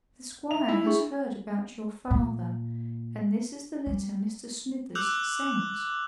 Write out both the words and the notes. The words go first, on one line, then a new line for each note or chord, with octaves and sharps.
"The Squire has heard about your father, and this is the letter Mr. Smithers sends."
E5 F7
E4
D4 G#4 C#6
A#2
G3
D6 E6 F#6 G6 F7 F#7